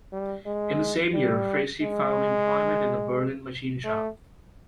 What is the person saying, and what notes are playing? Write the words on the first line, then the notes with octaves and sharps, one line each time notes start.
In the same year Fritsche found employment in a Berlin machine shop.
G3
G#3
G3
G#3
A3